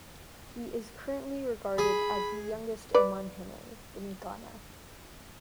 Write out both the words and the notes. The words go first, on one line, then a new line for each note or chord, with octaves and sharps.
He is currently regarded as the youngest Omanhene in Ghana.
G#4 B5
B4 D5